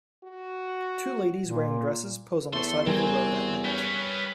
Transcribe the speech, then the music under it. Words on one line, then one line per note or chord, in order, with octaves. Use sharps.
Two ladies wearing dresses pose on the side of the road at night.
F#4
A#2
E2 A3 A4 C6
G3 C4 F#4 A#4 G#5
C#4 B4 G5